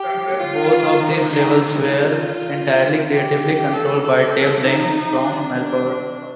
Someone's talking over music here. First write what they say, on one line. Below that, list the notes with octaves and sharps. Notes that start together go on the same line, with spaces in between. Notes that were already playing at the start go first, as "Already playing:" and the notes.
Both of these labels were entirely creatively controlled by Dave Laing, from Melbourne.
Already playing: G4
F4
D#4
D#4
D#4
F4
G4
A4
A4
D#4
D4
D4